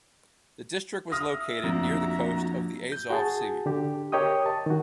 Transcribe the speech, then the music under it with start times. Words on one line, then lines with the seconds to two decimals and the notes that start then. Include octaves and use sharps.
The district was located near the coast of the Azov Sea.
1.12 E5 D#6 F6 A#6
1.64 A1 F2 F3 A#3 D4 F#4 A#5
2.92 G6
3.10 F#4 G#4 A5
3.66 D3 G4
4.12 G4 A#4 C#5 D#5 G5 D#6
4.46 A5
4.66 D#3 F#4